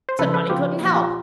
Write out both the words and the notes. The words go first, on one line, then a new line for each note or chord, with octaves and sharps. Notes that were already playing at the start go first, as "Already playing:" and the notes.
Said money couldn't help.
C5
C#3 F3 A4 B4
A4 B4
C#3 F3 F4 G4
A#2 F3
F4 G4